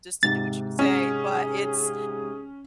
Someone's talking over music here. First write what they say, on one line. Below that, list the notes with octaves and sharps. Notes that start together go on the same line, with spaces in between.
just to do what you say, but, it's
G#2 C3 A6
C#4 G#4